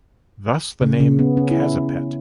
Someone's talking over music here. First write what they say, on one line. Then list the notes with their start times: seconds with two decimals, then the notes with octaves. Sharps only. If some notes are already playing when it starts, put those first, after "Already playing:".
Thus the name Kazipet.
0.81 C#3
1.00 C#3
1.19 B3
1.37 C#4
1.51 E4